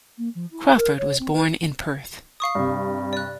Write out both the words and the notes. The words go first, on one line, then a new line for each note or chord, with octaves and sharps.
Crawford was born in Perth.
A#3
F3
E4
A#4
C#5
C4
B4
F5 C#6 D#6
G2 C3
D5 F#6